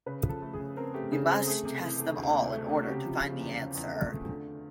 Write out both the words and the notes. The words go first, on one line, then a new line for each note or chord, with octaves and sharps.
We must test them all in order to find the answer.
C#3 B4
F3
A4
A3
G#4
C#3
C4 A#4
A3 G4
C#3 G#4
C4 G#4
A3 G#4
C3
E3
A3
D2
C3
A3
C3
F#4
C#3 G4
F3
C#3 F4
E2
C#3
E2
A3
A3
D3